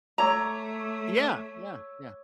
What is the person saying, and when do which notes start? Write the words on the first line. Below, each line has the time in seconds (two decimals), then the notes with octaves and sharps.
yeah! Yeah, yeah.
0.18 A3 C#5 E5 A#5 D6